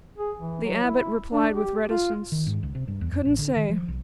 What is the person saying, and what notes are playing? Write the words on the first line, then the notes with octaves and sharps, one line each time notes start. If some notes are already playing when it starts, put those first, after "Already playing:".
The Abbot replied with reticence, couldn't say.
G#4
E3
F#3
E4
D4
G4
F4
D#3
G#2
C#2
C3
G2
E2
F2
A1
D3
D#3
F3
B1